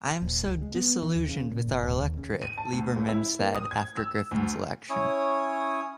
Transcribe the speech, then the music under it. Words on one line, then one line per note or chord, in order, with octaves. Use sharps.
"I am so disillusioned with our electorate," Lieberman said after Griffin's election.
D#1
C#2
G#3
B3
E3
D#2
C#3
A#2
F#1
D1
D#2
C#3
D#7
A5
D2
C#2
E4
A#3
D#6
G#6
E6
D2
C#4 E4 C#5 D#6